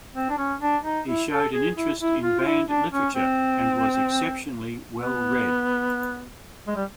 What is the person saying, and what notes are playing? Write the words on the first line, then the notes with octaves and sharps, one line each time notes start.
He showed an interest in banned literature and was exceptionally well read.
C4
D4
C#4
D4
D#4
E4
A4
G#4
E4
E4
F4
F4
E4
D4
C#4
C4
B3
G#3
G3